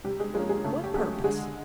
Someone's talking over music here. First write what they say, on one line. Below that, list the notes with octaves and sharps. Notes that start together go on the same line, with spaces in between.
"What purpose?"
C3 G3 G4
G#3 G#4
F3 G#3 A#3 C#4 G#4
G#3 G#4
C#3 A3 A4
G4
F#3 G#3 A3 G#4
D3 G#3 G#4